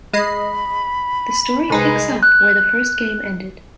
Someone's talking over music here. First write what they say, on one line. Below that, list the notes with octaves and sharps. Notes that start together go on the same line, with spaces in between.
The story picks up where the first game ended.
G#3 D#5 B5 C7
C2 G#3 D#4 B4
F#6